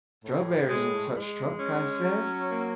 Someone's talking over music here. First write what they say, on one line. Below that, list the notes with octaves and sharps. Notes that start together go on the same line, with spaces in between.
"Strawberries and such truck," I says.
A2
G#3
G#3
C#4
F#3
A#3